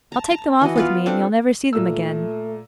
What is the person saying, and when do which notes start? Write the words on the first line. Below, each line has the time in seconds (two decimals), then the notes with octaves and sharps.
I'll take them off with me and you'll never see them again.'
0.12 A5 A#5
0.30 A5 A#5
0.61 E3 F#4 D#5
0.76 B3 F4 B4
1.06 C4 D4 A4 D5
1.73 A#2 A3 E6